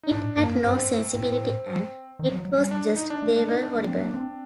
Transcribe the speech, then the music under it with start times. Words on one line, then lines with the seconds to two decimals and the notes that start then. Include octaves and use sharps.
It had no sensibility and it was just...they were horrible.
0.03 D#4
0.11 A2 D4
0.37 G2 A#3
0.64 G2 C4
1.14 A2
2.19 D#3
2.32 F#3
2.45 F#3
2.58 G3
2.71 D4
2.96 D#4
3.10 D4
3.22 A3
3.36 D4
3.48 D#4
3.62 D4
3.75 A#3
3.87 C4
4.01 A#3
4.14 C4